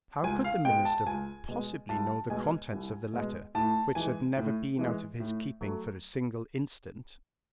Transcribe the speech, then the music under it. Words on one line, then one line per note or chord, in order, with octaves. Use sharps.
How could the minister possibly know the contents of the letter, which had never been out of his keeping for a single instant?
C#2 G#5
F5
B2 G#3 G5
A5
C#2 G#5
B2 G#3
C2 A5
B2 G#3 G#5
C2
B2 G#3
A2 A5
E3 G#3 G#5
A2
E3 G#3
A2
F#3 A3